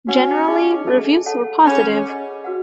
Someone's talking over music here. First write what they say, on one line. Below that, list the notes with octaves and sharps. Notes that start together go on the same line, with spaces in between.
Generally, reviews were positive.
C#4 F#4 B4 F#5 C#6
D#4 G#4 D#5
A4 E5 A5
A4 C#5 F#5 A5
C#4 G#4 C#5 F#5 B5
G#4 B4 D#5
F#4 B4 F#5